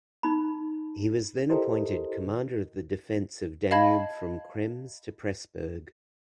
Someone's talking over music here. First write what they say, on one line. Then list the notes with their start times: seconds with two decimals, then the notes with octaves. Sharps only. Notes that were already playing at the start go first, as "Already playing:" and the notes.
He was then appointed commander of the defense of Danube from Krems to Pressburg.
0.23 D#4 B5
1.50 E4 G4 A4 A#4 C5 D#5
3.71 D#5 F5 A5 B5 G#6